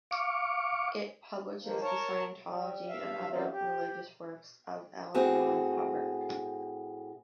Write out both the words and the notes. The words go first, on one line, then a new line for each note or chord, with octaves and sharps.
It publishes the Scientology and other religious works of L. Ron Hubbard.
F5 C#6 D6
D#3 F3 A#3
A#4 C#5 A5
G3
G2 E5 F5
F#2 E3 F#3 G3 A#3 C4
G4
A2 C4 F#4 G#4